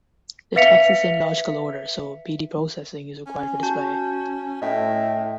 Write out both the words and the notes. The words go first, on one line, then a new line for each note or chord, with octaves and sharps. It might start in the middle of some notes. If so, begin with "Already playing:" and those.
The text is in logical order, so bidi processing is required for display.
B4 E5 F5 B6 C#7 F7
C#4
F#4 A5 G6
A2 D#5 E5 G5